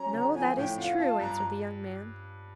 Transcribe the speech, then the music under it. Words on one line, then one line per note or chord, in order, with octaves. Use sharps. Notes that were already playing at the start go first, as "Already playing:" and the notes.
'No; that is true,' answered the young man.
Already playing: F#3 C#4 A#5
D3
F3 G#5
A2 G5
F4 F#5
F4 A5
G2 A#5